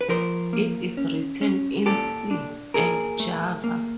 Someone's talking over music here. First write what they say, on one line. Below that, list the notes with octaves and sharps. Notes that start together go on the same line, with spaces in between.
It is written in C and Java.
B4
F3 A#4 C5
A#3
C#4
C#4
A#2 G4 A4
D4
A#2 G#4 A#4
A3
A#3